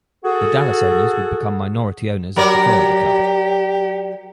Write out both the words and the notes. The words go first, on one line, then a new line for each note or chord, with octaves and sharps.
The Dallas owners would become minority owners of the Florida club.
F#4 G#4 A4
F#3 G4 A#4 D5